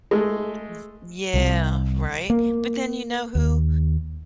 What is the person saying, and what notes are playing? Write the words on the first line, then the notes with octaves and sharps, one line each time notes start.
V Yeah, right, but then you know who
G#3 A3
C2
A#3
D#2